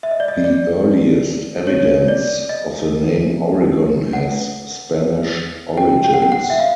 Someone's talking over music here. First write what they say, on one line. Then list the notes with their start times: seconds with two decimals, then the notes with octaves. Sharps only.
The earliest evidence of the name Oregon has Spanish origins.
0.03 E5
0.11 D#5
0.20 D5
0.28 D#5
0.44 D5
1.67 C#5
2.08 D5
2.49 D#5
4.13 F#5
5.77 G5
6.04 G5
6.14 F#5
6.22 G5
6.32 F#5
6.50 E5
6.59 F5